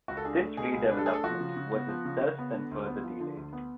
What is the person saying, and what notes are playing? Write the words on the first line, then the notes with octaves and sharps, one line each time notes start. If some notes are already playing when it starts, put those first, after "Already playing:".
This redevelopment was itself then further delayed.
C#2 F#4
A4
D4 G#4
A3
B2 G#4
C#2
D4 B4
A4
A3 G#4
A4
F3 F#4
C#3
C#3
B3
F3
C#3
C#3
B3
D3
D2
B3
F3
D3
D2
B3